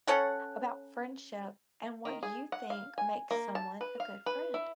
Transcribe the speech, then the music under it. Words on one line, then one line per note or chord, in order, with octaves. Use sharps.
about friendship and what you think makes someone a good friend.
C#4 A4 C#5 F#5
D#3
G#4
F#5
F5
G#5
A#3
A5
B4
F5
B4
E4